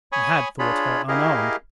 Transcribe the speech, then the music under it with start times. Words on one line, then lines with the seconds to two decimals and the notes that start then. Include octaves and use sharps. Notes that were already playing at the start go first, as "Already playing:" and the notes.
I had thought her unarmed.
0.12 C#5 G#5 B5 C#6 D#6
0.59 D4 F4 G#4 C#5 B5
1.08 E4 G4 G#4 A#4 D#5 F5